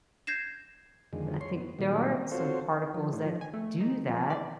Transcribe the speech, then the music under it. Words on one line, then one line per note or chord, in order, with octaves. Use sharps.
I think there are some particles that do that.
G6 G#6 A#6 C7 E7
F2 D3 D#3 G#3
C#5 C6
B3
A#2 D#3 F#3 G3
C4 F4 F#4 A4 C5 C#5
F3
A2
F3
G#5
A3
D#4
F3
D5